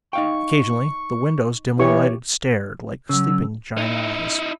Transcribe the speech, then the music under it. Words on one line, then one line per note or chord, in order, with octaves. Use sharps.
Occasionally the windows, dimly lighted, stared like sleeping giant eyes.
D#4 F5 G5 C#6
E3 E4 G4 C#5 C#6
C#3 F#3 E6
D#4 E4